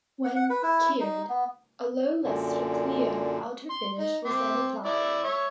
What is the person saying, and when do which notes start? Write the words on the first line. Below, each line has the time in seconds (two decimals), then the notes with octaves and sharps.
When cured, a low-luster clear outer finish was then applied.
0.24 F#5
0.36 F#5
0.50 B4
0.63 E4
1.00 D#4
1.29 B3
2.24 F#2 A#2 D3
3.70 C6
3.99 D#4
4.25 C4 D6
4.85 E4 D5 E5
5.24 C#5 E5